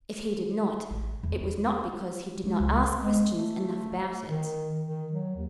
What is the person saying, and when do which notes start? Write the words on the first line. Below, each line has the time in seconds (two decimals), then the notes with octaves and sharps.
If he did not, it was not because he did not ask questions enough about it.
0.91 A1
1.23 E2
1.40 D4
2.43 G#3
2.60 C#2
3.02 G#3
3.36 A3
4.29 D#3
4.85 D#3
5.13 F#3
5.36 D#2